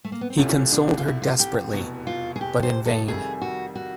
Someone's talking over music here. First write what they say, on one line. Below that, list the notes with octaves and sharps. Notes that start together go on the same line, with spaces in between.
He consoled her desperately — but in vain.
A3
A#3
B3
C4
C2 C3 F3 A3 C#4
D4
F4
E4
F4
G4
F1 E2 B2
F4
G#4
G4
C5
A4
F2 C3 D#3 G3 G#4
F#4
F#4